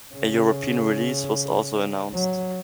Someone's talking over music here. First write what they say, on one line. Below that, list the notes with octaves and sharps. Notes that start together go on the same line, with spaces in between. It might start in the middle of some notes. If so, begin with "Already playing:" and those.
A European release was also announced.
C#3
F#3